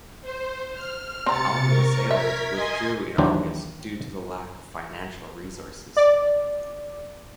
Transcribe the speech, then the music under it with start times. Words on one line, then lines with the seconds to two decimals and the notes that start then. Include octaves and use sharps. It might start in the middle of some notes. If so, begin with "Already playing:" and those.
Almere Sailors withdrew in August due to the lack of financial resources.
0.22 C5
0.74 F6
1.26 C3 C4 A#5 A6 C#7
1.66 A#4 C#6
2.11 A#4 E5 G#6 B6
2.52 D#5 G#5 C6
3.18 D#2 E3 F#3 D4 G4 C5
5.97 D5